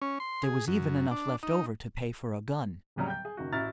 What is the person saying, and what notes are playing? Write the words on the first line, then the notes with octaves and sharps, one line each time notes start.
There was even enough left over to pay for a gun.
C#4
C6
G#4
F#2
D4
D#4
D1 D#2 C#3 F#3 G3 A#5
G5 G6
G#4
F#1 D#3 F#4
A1 E4 F#4 A#5 F6 A6